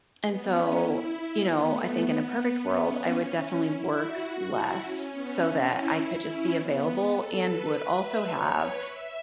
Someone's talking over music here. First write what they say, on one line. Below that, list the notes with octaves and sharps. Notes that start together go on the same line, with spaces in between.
and so, you know, I think in a perfect world, I would definitely work less so that I could just be available and would also have
B3
C#4
E4
B3
A3
B3
B3
B3
C#4
E4
F#4
F#4
E4
C#4
B3
C#4
E4
C#4
B3
A4
B4
E5
C#5
B4
E5